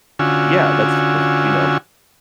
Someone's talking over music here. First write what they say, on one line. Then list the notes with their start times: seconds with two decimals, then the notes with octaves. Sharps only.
yeah, that's that's, you know,
0.19 D3 C#4 F4 F#4 G#5 E6